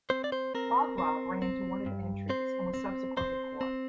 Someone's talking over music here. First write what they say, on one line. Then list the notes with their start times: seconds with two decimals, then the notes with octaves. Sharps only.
Bogrov ran to one of the entries and was subsequently caught.
0.10 C4 C5
0.24 D5
0.32 C5
0.55 C4 A#4
0.98 C4
1.42 C4
1.86 G2
2.29 C4 C5
2.74 C4
3.17 C4 C5
3.61 C4